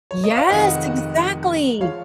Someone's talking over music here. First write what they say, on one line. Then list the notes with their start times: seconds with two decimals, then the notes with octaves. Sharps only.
Yes, exactly.
0.11 C#5
0.24 D#5
0.36 F5
0.51 F1 F2 D#3 G#3 D#5 F#5
1.81 F3 G#3 C#5 F5